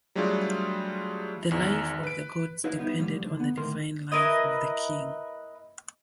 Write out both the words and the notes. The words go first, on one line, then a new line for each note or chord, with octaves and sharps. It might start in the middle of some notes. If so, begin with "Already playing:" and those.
The life of the gods depended on the divine life of the king.
F#3 G3 A3 D4 F4 G#4
G#1 E2
B4 D7
E4 B4 D#5 F5
G3 B3 D#4 E4
A2 D3 F3 G3
D3
B3
A2 D3 D#3 A#4 C6
E4 A#4 B4 D#5